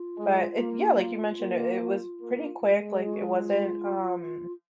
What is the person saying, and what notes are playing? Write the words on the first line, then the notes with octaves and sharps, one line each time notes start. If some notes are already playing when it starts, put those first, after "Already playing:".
but it yeah, like you mentioned it it was pretty quick, like, it wasn't, um
Already playing: F4
G#3
A#3
A#3
A#3
G#3
F4
F#4
F4